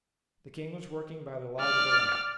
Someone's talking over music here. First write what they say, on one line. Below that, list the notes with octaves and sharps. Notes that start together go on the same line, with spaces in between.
The king was working by the light of a lamp.
D5 F6